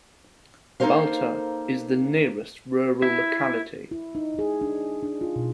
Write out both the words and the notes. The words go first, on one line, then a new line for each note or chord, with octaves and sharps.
Balta is the nearest rural locality.
A#3 D#4 A4 A#4 C5 F5
E4
E4
D#4
G#4
D4
D4
F4
B2